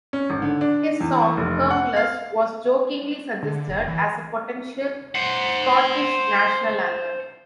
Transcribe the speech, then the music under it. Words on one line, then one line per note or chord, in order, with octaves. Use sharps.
His song "Hermless" was jokingly suggested as a potential Scottish national anthem.
C#4
G#1
D3
D4
E2
F1
F#5
F5
D3
F1
E3
C5 F#5